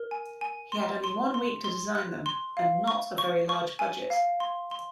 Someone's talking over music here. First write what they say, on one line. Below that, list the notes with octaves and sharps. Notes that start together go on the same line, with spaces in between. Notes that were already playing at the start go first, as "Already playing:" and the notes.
He had only one week to design them and not a very large budget.
Already playing: A#4
G#5
G#5
C6
C6
C6
C6
F#6
C6
F5
C#6
C#6
C#6
G#5
F5
C6
C6